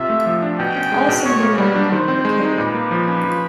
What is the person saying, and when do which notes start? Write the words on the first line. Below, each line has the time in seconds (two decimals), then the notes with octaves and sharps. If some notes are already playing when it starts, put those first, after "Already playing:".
All seventy-nine aboard were killed.
Already playing: C3 F4 E5
0.09 A3
0.26 F3
0.42 D4
0.59 B2 G5
0.76 C#4
0.92 G#3
1.09 B2
1.25 B2 C#5
1.42 A#3
1.58 G3 B4
1.75 D4
1.91 D#3 C5
2.08 C4
2.25 G#3
2.41 D#4
2.58 A#2 B4
2.75 A#3
2.91 F3
3.08 C#4
3.25 F3